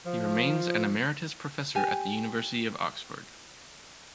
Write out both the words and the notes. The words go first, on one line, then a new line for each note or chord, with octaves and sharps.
He remains an emeritus professor at the University of Oxford.
F3
G4 G#5